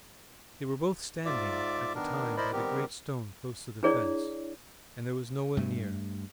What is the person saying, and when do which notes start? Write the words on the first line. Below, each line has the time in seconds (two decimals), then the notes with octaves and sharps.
They were both standing at the time by the great stone close to the fence, and there was no one near.
1.25 G#2 F4 D5 E5 D6
1.95 D#3 B3 D4 A#4
2.37 E4 A#4 C5 D5 D#5 B5
2.52 D#3 G3 B3 C4 G4 A#4
3.83 D4 E4 G#4 C#5 D5
5.57 G2 A3